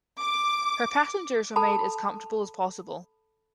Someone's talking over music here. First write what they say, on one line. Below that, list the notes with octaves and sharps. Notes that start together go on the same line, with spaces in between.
Her passengers were made as comfortable as possible.
D6
A4 A5 B5